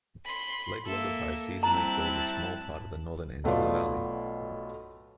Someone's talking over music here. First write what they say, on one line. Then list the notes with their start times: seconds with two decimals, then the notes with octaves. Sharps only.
Lake Logipi seasonally fills a small part of the northern end of the valley.
0.25 B5 C6
0.87 A#3 A4 E5
1.63 G3 C4 E4 A5 A#5 F#6
3.44 B1 A3 B3 F4 D5